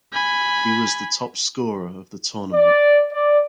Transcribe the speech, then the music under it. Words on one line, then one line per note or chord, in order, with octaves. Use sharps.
He was the top scorer of the tournament.
G#5 B5
D5
D5